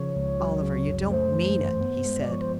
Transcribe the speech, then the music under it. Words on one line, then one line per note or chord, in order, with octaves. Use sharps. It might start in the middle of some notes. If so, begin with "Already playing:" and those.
"Oliver, you don't mean it," he said.
Already playing: C#3 F3 C#5
C#2
F#3
C#3
F#2
A3 C5
E3
G2
B3
G#3
D5
F3 C#5
C5